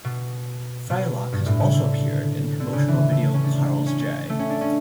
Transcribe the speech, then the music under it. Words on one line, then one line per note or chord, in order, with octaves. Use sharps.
Frylock has also appeared in promotional video Carl's J.
B2
B2
G2
A2
C#3
D3
D3
C#3
E3
A3
C#4
D4
C#4
C#4
A3
C#4
D4
C#4